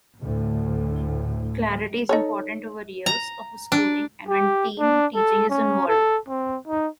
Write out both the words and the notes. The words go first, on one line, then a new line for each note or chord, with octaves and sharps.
Clarity is important over years of schooling and when team teaching is involved.
D2 A2
D#4 A4 C#5
A#5
D4
G4
D4
A4
C#4
A4
C4
D#4